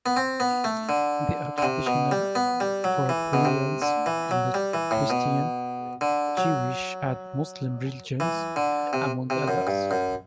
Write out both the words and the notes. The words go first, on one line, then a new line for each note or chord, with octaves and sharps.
They are traditional for burials in the Christian, Jewish and Muslim religions, among others.
B3
C4
B3
A3
D3
D3
C3
B2
G3
B3
G3
F#3
E3
B2
C3
D3
E3
F#3
G3
E3
A2
B2
D3
F#3
E3
D3
C3
C3
F#2
G2
F#2